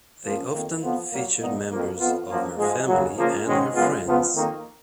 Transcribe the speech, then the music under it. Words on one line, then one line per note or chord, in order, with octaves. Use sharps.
They often featured members of her family and her friends.
G#2 F3 A#3 C#4
F2 D#3 A#3
F2 F3 B3 F4
A#2 F#3 A#3
A#2 F3 B3 D#4
F2 F3 A#3
F2 F3 B3 F4
F#2 F3 A#3
G#2 F3 G#3
D#2 C#3 F#3
C#3 F3 A#3 F4
G#2 D#3 G#3 C#4
F#2 C#3 G#3 B3 F4
C#2 C#3 F3 B3 F4
F2 D#3 A#3 D#4